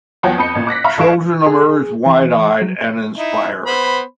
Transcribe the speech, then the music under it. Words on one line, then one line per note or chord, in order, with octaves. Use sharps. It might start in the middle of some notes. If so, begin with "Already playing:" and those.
Children emerge wide-eyed and inspired.
E2 F3 F#3 C#5 F#5 G5
F2 D#5 B5 G6 C#7
A1 A#2
D6 F#6 A#6 B6
E5 F5 A#5 B5 C#6 F6
A1 A4 F5 C#6 D7 E7
G#4
E3
F#3
D#4 E4
B3 C5 B5